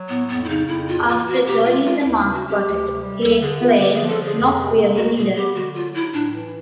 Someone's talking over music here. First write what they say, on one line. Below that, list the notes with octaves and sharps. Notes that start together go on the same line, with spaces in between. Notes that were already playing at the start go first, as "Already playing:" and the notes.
After joining the mass protest, he explained: It's not really needed...
Already playing: F#3
A2 B3
F2 B3
E4
C#3 D#4
F2 E4
A2 F4
E3 F4
B3 F#4
B2 G4
G#3 F4
D#4 F4
F4
D#2 E4
C#3
F#4
A3 G4
D2
C3
G3
D#2 A4
D3 G#4
B3 F4
D3 G4
F3 G#4
A4
D3
G#4
F2
C3
A#3
C#2 F#4
B2 G#4
B3 G4
D3 F#4
F#3 F4
D#4 E4
A2 D4
E3